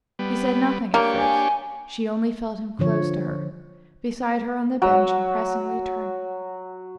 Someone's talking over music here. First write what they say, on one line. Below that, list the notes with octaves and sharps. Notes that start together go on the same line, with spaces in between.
He said nothing at first; she only felt him close to her--beside her on the bench and pressingly turned to her.
G3 B3
A#3 D4 G4 C#5
G#5
D3 F3 C#5
F#3 F#5